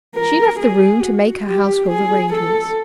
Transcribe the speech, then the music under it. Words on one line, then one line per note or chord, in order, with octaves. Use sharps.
She left the room to make her household arrangements.
A#4
G#4
F#4
G4
G#4
A4